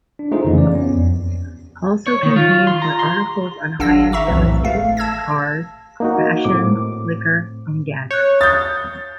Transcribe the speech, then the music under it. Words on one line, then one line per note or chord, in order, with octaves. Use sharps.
Also contained were articles on high end real estate, cars, fashion, liquor, and gadgets.
D4
A3 D#4 F4 G#4 C5
F2 C#3 E3 A#3 C#4
D5
B3 C#4
F2
C#5
D#3
F4
C6
A#5
C6
G#1 D4 F5 F#5 E6 A#6
E5 A#5 C#6 E6
B1 F2 A2 E3
G#1 A3 F5
A5 E6 G#6 A#6
A#3 D#4 F#4
A2 C4 D6
C#5 F#6 G6
D#6 G6 A6